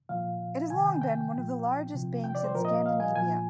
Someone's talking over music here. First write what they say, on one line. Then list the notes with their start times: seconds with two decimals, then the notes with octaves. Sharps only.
It has long been one of the largest banks in Scandinavia.
0.09 A#2 F3 F5
0.70 C3 D#3 G#5
0.87 G5
1.02 G5
1.32 A#2 F3
1.94 C3 F3
2.24 G5
2.35 D5
2.44 C5
2.55 A#2 F3 A#4
2.65 D#5
2.86 F5
3.00 G#5
3.16 A#2 F3 G#5